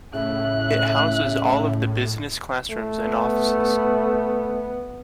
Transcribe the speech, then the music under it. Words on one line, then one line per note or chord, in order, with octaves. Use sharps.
It houses all of the business classrooms and offices.
A2 C#3 E5 F#6
A3
B3